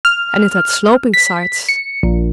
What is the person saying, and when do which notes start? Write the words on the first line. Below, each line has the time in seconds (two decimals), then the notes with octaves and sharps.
And it had sloping sides.
0.05 F6
1.14 B6
1.69 C#7
2.03 A#1